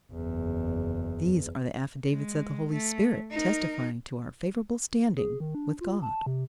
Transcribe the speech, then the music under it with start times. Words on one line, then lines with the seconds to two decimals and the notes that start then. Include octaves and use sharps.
These are the affidavits of the Holy Spirit testifying to our favorable standing with God.
0.12 F#1 E2
2.09 G#3
2.72 A3
3.31 D#4 A#4
5.17 G#4
5.40 D#3
5.55 D4
5.81 F4
6.02 A5
6.26 C3